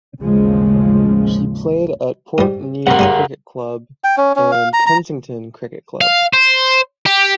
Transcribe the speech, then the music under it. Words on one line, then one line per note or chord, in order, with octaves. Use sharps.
She played at Port Neill Cricket Club and Kensington Cricket Club.
A1 D#2 C#3 F3 G#3
G#2 G3
C2 D#3 G#4 A#4 F#5
G3 C#4 D#4
G5
C#4
C#4
F5
A#5
A#5
F5
C5
G4